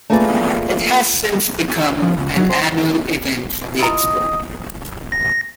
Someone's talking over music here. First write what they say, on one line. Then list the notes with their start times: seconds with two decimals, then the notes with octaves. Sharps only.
It has since become an annual event for the expo.
0.10 A3 A#3 F4 G#4 B4 D5
2.02 F3
2.18 C#2
2.37 F#3
2.50 C5
3.79 E4 F4 D#5 A#5
5.12 A#6